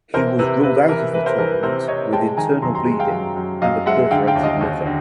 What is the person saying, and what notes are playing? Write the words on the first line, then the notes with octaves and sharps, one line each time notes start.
He was ruled out of the tournament with internal bleeding and a perforated liver.
E3 A#4 C5
C3 B4
C3 B4
E3 A#4
E3 B4
A#4 C5
E3 A#4
B4
C3 A#4 C5
C3 C#5 D#5
G#3 G5 A5
D#3 G#5 A#5
F#2 A#5 C6
A#5 C6
G#3
F5 G5
F#2
F#2
F#2 D#5 F5
G#3 E5 F#5
D3 F5 G5
F5 G5
D#2
D#5 F5
D#2
D3